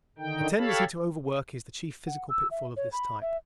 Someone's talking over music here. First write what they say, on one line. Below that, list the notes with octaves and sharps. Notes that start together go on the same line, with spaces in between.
A tendency to overwork is the chief physical pitfall of this type.
D3 D#3 D#4 G5
G4 A4 C#5 F5 A5 B5
F#5
E6
E5
C#5
B5
E5